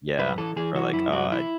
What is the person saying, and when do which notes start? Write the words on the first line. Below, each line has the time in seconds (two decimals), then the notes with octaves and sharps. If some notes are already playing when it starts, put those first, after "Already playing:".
Yeah, or like, oh, I
0.19 F#2 B4
0.37 E3 A4
0.56 E3 G#4
0.75 E3 F#4
0.94 F#2 E4
1.12 F#2 F#4
1.31 E3 E4